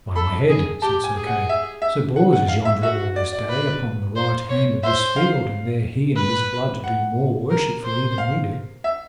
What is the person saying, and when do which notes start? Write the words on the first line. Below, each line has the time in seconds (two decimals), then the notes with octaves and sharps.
By my head, said Sir Kay, Sir Bors is yonder all this day upon the right hand of this field, and there he and his blood do more worshipfully than we do.
0.16 A4 B5
0.49 G#4
0.82 G4 A5
1.04 G#5
1.15 G#4
1.27 F#5
1.49 E5
1.82 E5
2.16 F#5
2.33 F#5
2.48 F5
2.65 E5
2.82 F#4 E5
3.16 D5
3.33 D5
3.49 B4
4.16 C5
4.49 C#5
4.83 C5 E5
5.16 F5
6.16 B4
6.84 F#5
7.50 A#4
7.83 C5
8.18 F5
8.84 E5